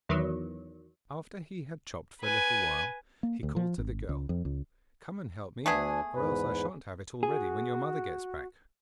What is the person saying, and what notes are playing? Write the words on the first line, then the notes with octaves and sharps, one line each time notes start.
After he had chopped for a little while he called to the girl, 'Come and help me, or else I shan't have it all ready when your mother gets back.'
E2 D#3 E3 F#3
B4 G#5
A#3
D2
F3
G#1
C#2
F2
C#2
D2 A3 B3 D4 G#4 G#5
E2 G#2 B4
F#4 G#4